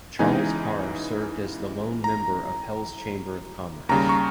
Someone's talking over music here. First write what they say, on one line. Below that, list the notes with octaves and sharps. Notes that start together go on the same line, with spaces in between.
Charles Carr served as the lone member of Hell's Chamber of Commerce.
C#3 E3 G#3 B3 D#4 G#5
A#5
D#2 C#3 G3 A#5
C#6